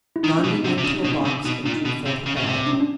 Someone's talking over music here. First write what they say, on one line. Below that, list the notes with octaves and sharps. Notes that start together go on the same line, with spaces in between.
Gondy went to a box and drew forth a bag.
E4
D#3 D#4
B2 D4
D#4
C3
D4
C3
C#3 D4
D#4
B2 D4
D#4
C3 D4
B2 D#4
A#2 D4
D#4
B2
C3
C#3
C#3
C3
D4
C#4
D4